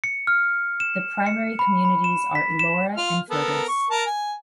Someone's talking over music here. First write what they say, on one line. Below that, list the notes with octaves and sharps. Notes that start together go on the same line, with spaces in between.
The primary communities are Elora and Fergus.
C#7
F6
E7
C#7
B5
B5
E7
B6
E7
F4 F6
B3 A4 A#4
C#6
A#4 A5
G#5